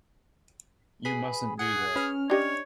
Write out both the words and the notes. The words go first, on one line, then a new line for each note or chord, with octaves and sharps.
You mustn’t do that.
G#4 B4 B5
G#4 F#5
C#4 B4 F6
D4 G4 C#5 D#5